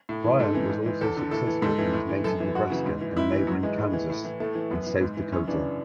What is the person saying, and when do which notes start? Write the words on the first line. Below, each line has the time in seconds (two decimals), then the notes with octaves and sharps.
Bryan was also successful in his native Nebraska and neighboring Kansas and South Dakota.
0.09 A2
0.25 E3
0.39 G#2 A4
0.54 E3
0.70 G#2
0.86 E3
1.01 E2 A4
1.17 D3
1.31 A2 A4
1.47 E3
1.62 G#2 A4
1.78 E3
1.93 A2
2.09 E3
2.24 F#2 A4
2.40 E3
2.55 F#2 F#4
2.70 C#3 E3
2.86 G#2
3.01 E3
3.17 G#2 E4
3.32 E3
3.47 G#2 F#3
3.63 E3 G#3
3.78 A2
3.93 E3
4.10 A2
4.24 E3
4.40 A2 A3
4.55 E3
4.70 F#2 B3
4.87 E3
5.01 G#2
5.17 E3
5.32 F#2 C#4
5.48 C#3 E3 D4